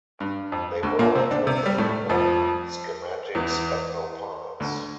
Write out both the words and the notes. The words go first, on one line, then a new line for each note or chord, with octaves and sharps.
They brought with them schematics, but no parts.
G2
F2
D2 D3
A#2 A#3
C3 C4
D3 D4
C3 C4
G3
A2 A3
F2 F3
E2 E3
D2 D3